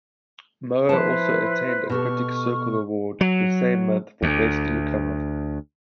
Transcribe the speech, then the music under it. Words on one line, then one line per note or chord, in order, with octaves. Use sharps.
Mower also obtained a Critics' Circle Award the same month for Best Newcomer.
F3 E4 B4 C5 A5
B2 G4 A4 C#6 F6
F#3
D2